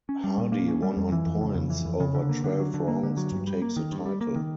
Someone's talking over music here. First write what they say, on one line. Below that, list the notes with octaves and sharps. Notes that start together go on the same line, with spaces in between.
Hardy won on points over twelve rounds to take the title.
C#4
G3
A#2
A#3
C#4
G3
F2
E3
F2
C#3
F2
E3
F2
C#3
D3
A#3
D3
F#3
D3
A#3
D3
F#3
G2
G3
A#3
D#3
G2
G3
A#3
D#3